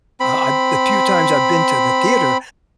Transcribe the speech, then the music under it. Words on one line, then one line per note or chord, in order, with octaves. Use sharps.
uh, I the few times I've been to the theater,
C4 B5